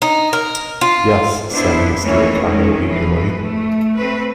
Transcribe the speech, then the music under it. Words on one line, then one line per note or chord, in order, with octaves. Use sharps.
"Yes," said Mr. Ricardo eagerly.
D#4
A#4
F4
B3 D4 E4 C5
D#2 E3 A3 A#3 C#4 C#5
D#3 G#3 C#4 A#4
E3 F3 B4
A3
A3 C4 B4